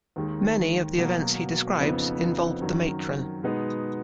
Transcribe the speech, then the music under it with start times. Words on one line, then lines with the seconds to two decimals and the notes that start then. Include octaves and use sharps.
Many of the events he describes involved the matron.
0.16 D#2 D#3 G#3
0.98 B2 F#3 A#3
1.80 F2 C#3 F3 B3 D#4
2.61 F#2 D#3 F#3
3.43 B2 G#3 B3 D#4